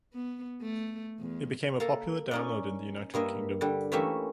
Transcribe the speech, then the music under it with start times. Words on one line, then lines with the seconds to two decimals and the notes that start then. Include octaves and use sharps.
It became a popular download in the United Kingdom.
0.14 B3
0.62 A3
1.19 E2
1.80 A#3 A4 A#5
2.31 C#4 D#4 D5
3.14 G2 A#3 D#5 E5
3.61 D3 G3
3.92 E3 A3 A#3 C#4 G4 E5